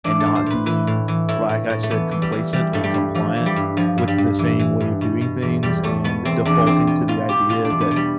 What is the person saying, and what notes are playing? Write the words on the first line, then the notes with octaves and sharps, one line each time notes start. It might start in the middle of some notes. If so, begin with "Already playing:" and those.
and not being, like I said, complacent and compliant with the same way of doing things and defaulting to the idea that,
E3 D4
A4
A2
C5
A2 B4
E3 B4
A2
E3
A2 E4
A2
A2
A3
E3 B3
E3
G3
E3
E3 G3
G2 A3
G3
G2
E3 F3
E3
G3
G2
G2 F3
G2
G3
G2
E3
E3
G2
B2
B2
E2
E2 G3
E2 A3
B2 B3
E2 C4
E2 D4
E2 C4
B2
B2 F4
B2 G4
B2 F4
D4
E2
B3
B2
G3